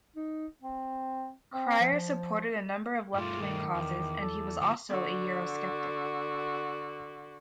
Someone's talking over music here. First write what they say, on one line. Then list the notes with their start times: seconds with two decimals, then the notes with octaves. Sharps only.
Cryer supported a number of left-wing causes and he was also a Eurosceptic.
0.16 D#4
0.62 C4
1.54 C4
1.80 F3
3.14 G2 A3 F4 D6
3.41 D#3
3.75 E2
4.21 A4
4.62 D2 F3
4.89 D3 F#4